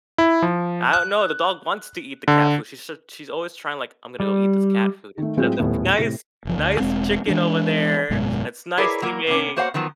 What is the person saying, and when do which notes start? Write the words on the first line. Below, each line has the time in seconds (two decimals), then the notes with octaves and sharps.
I dunno, the dog wants to eat the cat food, she's such she's always trying, like, I'm gonna go eat this cat food, instead of the foo nice nice chicken over there that's nicely made.
0.18 E4
0.42 F3
0.93 F#6
2.28 D3
4.20 G3
5.18 D#3 A3
5.37 A2 F#3 G#3 C4 F4 G#4
5.57 D#1 A2 B3
5.98 A2 C3 A#6
6.45 F#1 F3
6.58 D2
6.80 E1 G#3 C4
7.27 E3 G#3 D4
8.10 G#1 F#2 B2 G#3
8.77 E4 G#4 A#4 B4 C#5 D5
9.02 F#3 A#3 A#4
9.27 C3 A#3 B3 C#4
9.56 A#3 F#4 C5 C#5 F5 F#5
9.74 D#3 F3 F#3 B3